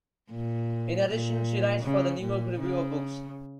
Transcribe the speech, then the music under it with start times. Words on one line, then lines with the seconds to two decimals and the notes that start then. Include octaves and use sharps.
In addition, she writes for the "New York Review of Books".
0.31 A#2
1.07 A#2
1.84 C#3
2.22 A#2
2.60 C#3